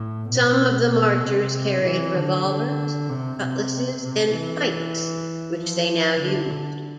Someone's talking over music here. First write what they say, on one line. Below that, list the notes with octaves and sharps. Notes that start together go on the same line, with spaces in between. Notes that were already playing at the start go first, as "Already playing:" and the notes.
Some of the marchers carried revolvers, cutlasses and pikes which they now used.
Already playing: A2
B2
C3
E3
D3
D3
C3
C3
C3
E3
F3
D3